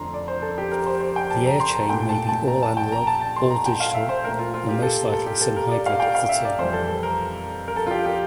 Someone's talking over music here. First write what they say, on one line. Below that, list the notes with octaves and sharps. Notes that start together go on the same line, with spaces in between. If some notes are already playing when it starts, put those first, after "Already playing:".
The airchain may be all-analogue, all-digital, or most likely some hybrid of the two.
Already playing: F2 D3 F3 A3 A#5 C6
D5
C5
A4
G4
A#4
C5
C5
G5
A5
A#5
C6
A#5
A#2 A3 G5
A5
A5
A#5
A5
G5
A#5
A5
A5
C6
A#5
G5
F5
E5
C5
A#2 A3 A#4
F4
F4
G4
A4
A4
G4
A4
A#4
D5
F5
G5
F5
E5
D5
F2 E3 G3 C5
A4
A4
A#4
A#4
A4
F4
G4
G4